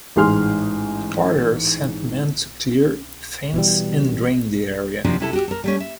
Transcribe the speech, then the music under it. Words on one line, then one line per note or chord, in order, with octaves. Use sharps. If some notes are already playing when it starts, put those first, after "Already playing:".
Porter sent men to clear, fence and drain the area.
A1 G#2 G#4 C6 F6
B2 E3 G3
D#2 C3 F3 D4 F#4 A#4
C3 E4 A4
F#4 G4
A4 A#4
G3 A3 C#4
E5